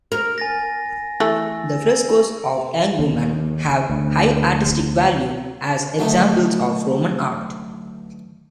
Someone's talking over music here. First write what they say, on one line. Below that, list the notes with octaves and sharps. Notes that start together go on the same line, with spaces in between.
The Frescos of young women have high artistic value as examples of Roman art.
A#4
G#5 A6 A#6
E3 A3 A4 E6
D#2
D2
B1 D3 A3 D#4